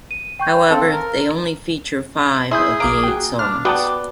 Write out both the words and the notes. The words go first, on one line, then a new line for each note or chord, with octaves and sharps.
However, they only feature five of the eight songs.
D#7
G5 C#6 G6
C4 A4 F5 A5
A#4
E4 G#4 C6 D#6 G6
A#1 A#3 D6 D7
F#4 G5
D4 F6
B3 F#4 D5 G5 A5